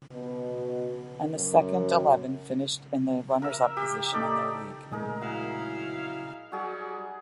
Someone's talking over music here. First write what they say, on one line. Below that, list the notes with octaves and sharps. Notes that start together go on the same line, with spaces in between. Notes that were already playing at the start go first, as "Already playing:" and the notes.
And the Second Eleven finished in the runners up position in their league.
B2
F#2
A#4 E5
G4
D#4 A4 D5
A#2 G#3 A3 D#4 G#4 A#4
F#3 E4 F5 F#5
F#3 G3 F#4 G#4